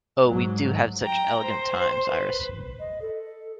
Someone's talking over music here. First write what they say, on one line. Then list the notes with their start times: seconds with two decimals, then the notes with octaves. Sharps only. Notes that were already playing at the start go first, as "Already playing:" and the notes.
Oh, we do have such elegant times, Iris.
0.24 G#2 F#3
1.02 G5 A#5
1.44 C5
2.13 B4
2.79 D#5
3.02 A4